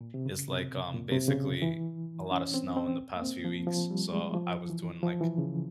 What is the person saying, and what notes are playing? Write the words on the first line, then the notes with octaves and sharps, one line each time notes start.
is, like, um, basically a lotta snow in the past few weeks, so, I was doing, like,
A#2
C3
C#3
C3
A#2
C3
C#3
E3
C#4
C4
C4
A#3
C4
F3
F3
G3
G#3
F3
E3
F3
E3
C#3